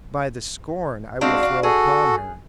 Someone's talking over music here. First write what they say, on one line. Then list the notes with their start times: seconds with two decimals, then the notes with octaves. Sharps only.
"By the scorn I will throw upon her."
1.21 G#3 C4 D4 F#4 F5
1.43 D4
1.63 F#4 G#4 A4